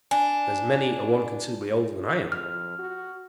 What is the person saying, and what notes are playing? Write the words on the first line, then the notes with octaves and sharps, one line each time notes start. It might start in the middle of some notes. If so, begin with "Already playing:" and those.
"There's many a one considerably older than I am."
D4 G#5
F2 F6
F#4